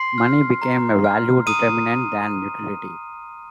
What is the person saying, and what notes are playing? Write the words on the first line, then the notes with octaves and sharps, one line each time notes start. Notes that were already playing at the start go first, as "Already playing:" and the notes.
Money became a value-determinant than utility.
Already playing: C6 C7
F6
A#5
F6
A#5 D#6 D#7